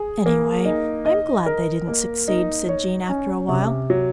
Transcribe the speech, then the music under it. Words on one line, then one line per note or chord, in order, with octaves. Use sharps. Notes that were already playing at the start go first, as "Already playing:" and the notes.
"Anyway I'm glad they didn't succeed," said Jean after a while.
Already playing: G#4
A#3
D#4
D#5
A#4
A#3
D#4
C#5
C#4
C3
F#3